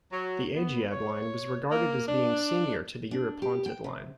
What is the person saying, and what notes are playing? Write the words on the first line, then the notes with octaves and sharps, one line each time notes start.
The "Agiad" line was regarded as being senior to the "Eurypontid" line.
F#3
B3
C#5
A#3
D4
D4
G4
G5
C3